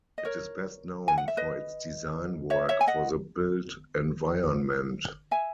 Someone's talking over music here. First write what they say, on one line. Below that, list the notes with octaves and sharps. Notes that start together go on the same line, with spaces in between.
It is best known for its design work for the built environment.
D#5
A#4 C#5
G#5
F#5
E5
B4 D#5
C#5 E5
C#5 E5
G#5
D#5 F#5
E5 G#5